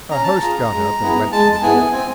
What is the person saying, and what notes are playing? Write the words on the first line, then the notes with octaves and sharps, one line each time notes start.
Our host got up and went to the door.
C#4 A#5
A5
A#5
F4 G#4
G#3
B3 E4 G#4
G#3 A5
A5
B3 E4 G#4 G#5
C4 G#5